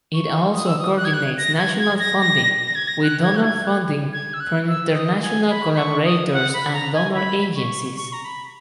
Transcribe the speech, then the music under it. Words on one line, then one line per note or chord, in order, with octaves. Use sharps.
It also coordinates national funding with donor funding from international collaborators and donor agencies.
C#6
D#6
E6
D#6
F#6
G#6
F#6
A#6
G#6
G#6
A#6
A#6
A#6
G#6
A#6
F#6
G#6
F#6
G#6
G#6
F#6
G#6
E6
F#6
E6
D#6
G#5
B5
B5
C#6
D#6
F#5
B5
A#5
G#5
B5
C#6
C#6
A#5
B5